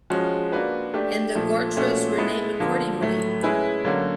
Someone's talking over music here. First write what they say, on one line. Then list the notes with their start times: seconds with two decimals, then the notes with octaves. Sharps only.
And the gotras were named accordingly.
0.10 F3 G#3 C#4 F#4
0.52 A#3 D4 F#4 B4
0.94 A3 D4 G4
1.35 A#2 F3 A3
1.77 A#2 F3 A3 C#4 F#4
2.18 G#3 B3 E4 A4
2.60 D3 F3 A#3
3.01 A2 F#3 A3
3.43 G#3 C#4 E4 G#4 B4
3.85 D3 F#3 A#3 C#4 F#4